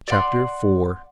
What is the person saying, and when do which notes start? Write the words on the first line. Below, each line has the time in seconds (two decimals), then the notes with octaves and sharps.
Chapter IV.
0.08 D5 F#5 C6